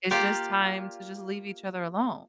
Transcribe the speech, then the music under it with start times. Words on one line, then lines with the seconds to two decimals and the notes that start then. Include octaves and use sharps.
it's just time to just leave each other alone.
0.11 A#3 F4 G4 D5